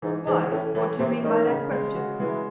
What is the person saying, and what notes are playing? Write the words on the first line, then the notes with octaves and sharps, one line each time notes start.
"Why?--what do you mean by that question?"
G#2 E3
G#2 E3
A2 C#4
A2 E3
A2 C3
D#3 C#4
C#3
G#3
F#4
E3 G#3